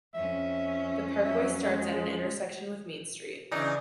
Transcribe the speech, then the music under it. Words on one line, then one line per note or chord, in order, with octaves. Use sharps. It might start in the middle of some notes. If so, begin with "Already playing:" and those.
The parkway starts at an intersection with Main Street.
F2 C#4 E5
F#3 E5
G#3 G#4
C#3 E3 D4 D#4